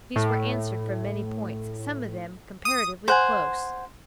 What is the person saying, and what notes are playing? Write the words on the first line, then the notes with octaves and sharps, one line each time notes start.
These were answered from many points, some of them comparatively close.
A2
D#6
C5 F#5 G#5